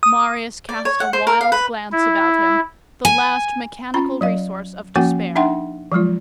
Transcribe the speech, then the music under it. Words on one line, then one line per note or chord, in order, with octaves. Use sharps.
Marius cast a wild glance about him, the last mechanical resource of despair.
D#6
D5
C#5
F#5
C5
A#4
F5
B4
E4
G#5
C#4 F4 A#5 B5
F#3 D#5 F5
F3 A#3 C#4 F#4 G5 G#5
D4 D#4 E5 F#5 G5 C6
F3 F#3 G#3 F4